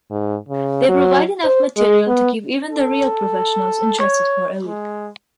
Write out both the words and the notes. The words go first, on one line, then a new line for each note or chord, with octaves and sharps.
They provide enough material to keep even the real professionals interested for a week.
G#2
C#3
F#3
C5
G#3
B3
A4
C#5
G#3